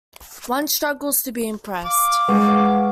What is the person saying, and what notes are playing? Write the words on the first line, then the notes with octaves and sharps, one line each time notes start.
One struggles to be impressed.
F5 D6
G#3 B4 F#5 C#6